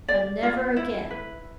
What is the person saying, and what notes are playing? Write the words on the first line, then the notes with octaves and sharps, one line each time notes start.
But, never again!
D5
F4
E4
B4